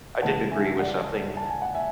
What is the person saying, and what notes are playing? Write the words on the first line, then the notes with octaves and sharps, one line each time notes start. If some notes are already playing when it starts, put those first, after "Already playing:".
I didn't agree with something
C#2 C#3 E3 F#5 A5
E5 G#5
D5 F#5
A5
G#5
F#5
E5 G#5